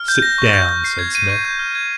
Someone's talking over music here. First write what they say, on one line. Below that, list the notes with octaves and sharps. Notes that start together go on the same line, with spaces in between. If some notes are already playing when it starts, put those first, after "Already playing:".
"Sit down!" said Smith.
Already playing: F6
G6
A#6
C#6
G6
G6
C7
G#6
D#7
C#6
G6
F6
G#6